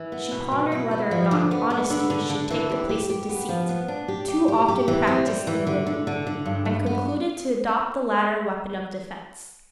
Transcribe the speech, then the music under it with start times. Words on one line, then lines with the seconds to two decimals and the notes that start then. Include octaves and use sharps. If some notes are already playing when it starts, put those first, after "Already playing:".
She pondered whether or not honesty should take the place of deceit--too often practised in women--and concluded to adopt the latter weapon of defence.
Already playing: E3
0.12 B3
0.31 B2
0.52 B2
0.72 E4
0.91 B3
1.11 F3
1.31 D3
1.51 B3
1.70 B3
1.90 D3
2.10 D3
2.29 D3
2.50 E3
2.69 G4
2.89 G4
3.09 G4
3.29 B3
3.49 F3
3.69 B3
3.88 D4
4.08 G4
4.28 G4
4.48 G4
4.68 G4
4.88 E3
5.07 C4
5.27 G3
5.47 E3
5.67 D3
5.87 D3
6.07 D3
6.27 D3
6.45 G2
6.65 G2
6.86 B3